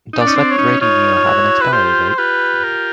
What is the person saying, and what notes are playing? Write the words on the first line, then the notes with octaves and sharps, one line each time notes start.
Does that ready meal have an expiry date?
D#4
D4 D5
C#4 D#4
C4 D4
C#5
C#4 D#4
D#4 F4 C#5
F4
E4 F#4
B4
F4 G4 C5
C5
F4 G4 B4
A#4